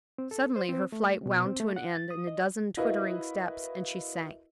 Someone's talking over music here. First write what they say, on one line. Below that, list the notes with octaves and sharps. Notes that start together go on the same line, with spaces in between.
Suddenly her flight wound to an end in a dozen twittering steps, and she sank.
C4
A4
C5
C4
A3
B2
C4
A3
F#5
A6
D#6
D#5
E4 F#4 A#4 B4 D#5 F5